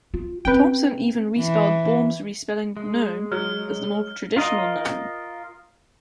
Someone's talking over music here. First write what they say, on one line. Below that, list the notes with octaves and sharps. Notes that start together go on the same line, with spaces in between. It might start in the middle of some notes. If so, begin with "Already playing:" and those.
Thompson even respelled Baum's respelling "Nome" as the more traditional "Gnome".
F4
C4 C#4 B4 G5
E3
G#3
F#3 F6
F4 A#4 D#5